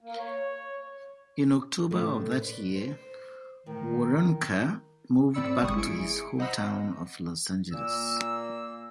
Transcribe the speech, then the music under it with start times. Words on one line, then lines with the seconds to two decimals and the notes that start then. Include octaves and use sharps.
In October of that year, Waronker moved back to his hometown of Los Angeles.
0.01 A#3
0.19 C#5
1.91 A2 C#3 A4
2.40 B4 C5 D5
2.75 C5
3.66 A2 D#3
5.34 A2 C4 D5 B5 E6 C#7
5.62 G1 G#3 C#6 D#6
5.75 E4 G#4 C#7 D7
6.39 C5 D#5 F#5 A#5 B5 E6
7.72 A#2 A#3 E6